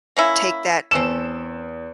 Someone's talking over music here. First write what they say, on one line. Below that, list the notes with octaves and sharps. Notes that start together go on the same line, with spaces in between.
take that
A#3 C#4 E4
E2 C4 C#4 A4 E7